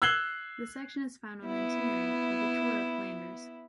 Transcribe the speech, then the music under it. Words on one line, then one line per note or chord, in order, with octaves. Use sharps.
The section is found on the itinerary of the Tour of Flanders.
E6 F#6 G#6 C7 F#7 G7
B3 E4